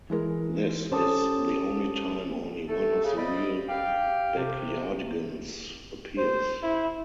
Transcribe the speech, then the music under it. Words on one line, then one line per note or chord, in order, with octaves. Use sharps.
This is the only time only one of the real Backyardigans appears.
E3 G#3 A#4
C#4 G4 A4 C5 A5 D#6
A3 A4
C#3
D2 C3 G3 D5 D#5 B5
G4 F5 G5
C3
C5
E4